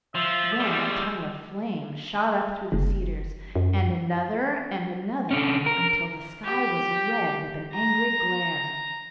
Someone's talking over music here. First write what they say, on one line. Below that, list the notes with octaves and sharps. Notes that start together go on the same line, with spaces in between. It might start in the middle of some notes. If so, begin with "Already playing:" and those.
Then a tongue of flame shot up through the cedars, and another and another until the sky was red with an angry glare.
F3 E5
G3 G#3
F#1
F#2
D3 C#4
A#4
G4
A#5